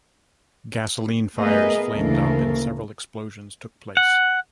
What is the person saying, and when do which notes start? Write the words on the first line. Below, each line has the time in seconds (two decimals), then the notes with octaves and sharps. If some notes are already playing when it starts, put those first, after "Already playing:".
Gasoline fires flamed up and several explosions took place.
1.38 A3 B3 G#4 A#4 B4 D#5
1.92 D2 C#3 E3 A#3 A4 A#4
3.97 F#5